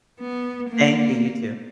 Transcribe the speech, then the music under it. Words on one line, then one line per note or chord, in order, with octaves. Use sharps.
Thank you, you too.
B3
A#3